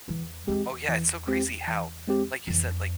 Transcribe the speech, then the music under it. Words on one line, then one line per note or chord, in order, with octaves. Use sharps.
Oh, yeah it's so crazy how, like you said, like
E2 E3
E2 G#3 C4 G4
E3
G#3 C4 G4
E3
G#3 C4 G4
F2 E3